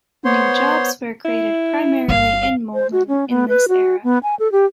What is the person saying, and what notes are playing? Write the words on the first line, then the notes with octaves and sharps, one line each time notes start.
New jobs were created primarily in Moline in this era.
B3 C5 C#5 C6
E4
G1 F5
C5
F#4
C#4
B3
B4
F#4
B3
G#5
A4
G4